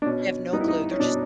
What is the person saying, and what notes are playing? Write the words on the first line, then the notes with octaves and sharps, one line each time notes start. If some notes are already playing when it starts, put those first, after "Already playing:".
They have no clue, they're just
D4
B2 C#4
G3 B3 D#4
E4
D#4
C#4
B2 D4